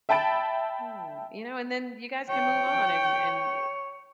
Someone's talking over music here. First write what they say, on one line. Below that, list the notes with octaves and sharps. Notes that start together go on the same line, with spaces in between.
Yeah, you know, and then you guys can move on, and and, eh,
E5 G5 A5 B5 A6 D7
C#5 G5